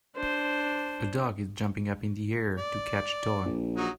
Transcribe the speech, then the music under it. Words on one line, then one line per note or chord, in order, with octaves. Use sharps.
A dog is jumping up in the air to catch a toy.
D4 C5
D5
A#1
F#3 D#4 F#4